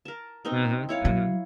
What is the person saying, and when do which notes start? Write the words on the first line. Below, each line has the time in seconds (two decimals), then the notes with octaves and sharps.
Mhm, mhm.
0.05 A#4 A5
0.45 C4 D#4 A#4
0.89 E4 C#5 F5
1.05 F#3